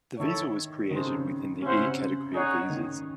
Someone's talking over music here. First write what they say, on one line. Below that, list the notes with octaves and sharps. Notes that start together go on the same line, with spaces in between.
The visa was created within the E category of visas.
D#3 E4 A4 C#5
D#3 G#3 D#4 A4 C5
C#3
C3
C#3
C3 C#4 E4 C5 F#5
C#3
C3
C#3
D#4 G#4 C#5 F#5
D#3